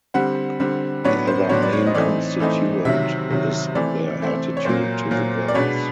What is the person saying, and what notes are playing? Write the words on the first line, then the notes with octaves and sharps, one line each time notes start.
The other main constituent is their attitude to the gods.
D3 G3 C4 F#5
D3 G3 C4
A2 F#3 B3 D4 C#5
C5
A2 F#3 B3 D4 C#5
D5
C#5
D#5
E3 A3 C4 D#4 D5
E3 A3 C4 D#4
C3 D#3 F#3 E5
C3 D#3 F#3
E3 A3 C4 D5
E3 A3 C4
C#5
A#2 F#3 A#3 C5
A#2 F#3 A#3
D5
B2 G#3 B3 D4 C#5